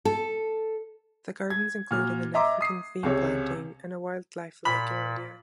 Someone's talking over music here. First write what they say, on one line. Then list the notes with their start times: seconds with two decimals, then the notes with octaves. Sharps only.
The gardens included an African theme planting and a wildlife lake area.
0.05 A4
1.50 G#6
1.91 A#2 F#4 F6
2.34 D#5 E5 A#5 C6 D6
2.61 D#6 C7
3.03 C#2 C3 C#5
4.65 A#2 B5